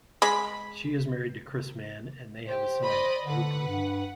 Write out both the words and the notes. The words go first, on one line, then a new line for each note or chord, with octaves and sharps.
She is married to Chris Mann and they have a son, Rupert.
G#3 B5
G4 C5
D5 D#5 B5
D3 B4 F#5
G2